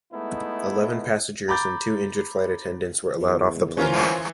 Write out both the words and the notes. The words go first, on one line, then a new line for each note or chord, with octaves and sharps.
Eleven passengers and two injured flight attendants were allowed off the plane.
G#3 A3 B3 D#4 E4
A#5 B5 D6 G6 A6
E2
E3 C#4 F4 A#4 C5